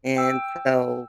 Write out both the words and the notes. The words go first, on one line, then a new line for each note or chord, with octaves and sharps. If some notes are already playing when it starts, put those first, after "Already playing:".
and so
G5 E6